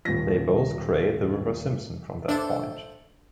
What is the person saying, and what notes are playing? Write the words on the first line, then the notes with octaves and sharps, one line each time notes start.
They both create the river Simpson from that point.
D#1 C#2 B2 F3 A#6
D4 A4 C5 E5